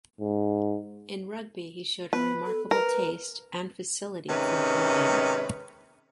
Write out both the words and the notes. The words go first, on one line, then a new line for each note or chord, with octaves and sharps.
In Rugby he showed "a remarkable taste and facility for drawing".
G#2
B3 B4
A4
A#4 B4
G#2 C3 D#3 C#4 B4